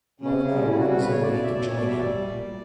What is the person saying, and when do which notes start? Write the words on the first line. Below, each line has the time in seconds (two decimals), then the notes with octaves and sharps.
Merna runs away to join him.
0.21 C#3 C#4
0.37 C#3
0.52 G3
0.66 G3 E4
0.78 F#4
0.81 C#3
0.88 F#4
0.95 C#3 B4
1.10 B2 C#5
1.22 D5
1.26 B2
1.32 D5
1.40 B2 E5
1.55 B2 D5
1.66 B2 C#5
1.76 D5
1.84 G3 E5
1.99 G3 D5
2.13 G3
2.28 A#2
2.43 A#2